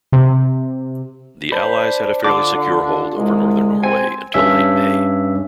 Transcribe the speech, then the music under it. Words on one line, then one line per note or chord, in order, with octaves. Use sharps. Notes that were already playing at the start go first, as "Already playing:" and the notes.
The Allies had a fairly secure hold over northern Norway until late May.
C3
D4 C5 B5
D3 D4 F4 D5 D6
D3
C2 G#3
C4 G#5
G2 C#4 E5